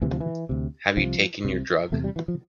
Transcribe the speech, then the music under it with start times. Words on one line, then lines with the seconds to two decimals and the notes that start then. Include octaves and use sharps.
Have you taken your drug?
0.02 D2 C3 E3
0.11 F3
0.21 E3
0.49 D2 C3
0.97 C2 C3 F3
1.45 C2 C3
1.92 E2 C3 A3
2.04 G3
2.16 E3
2.28 F3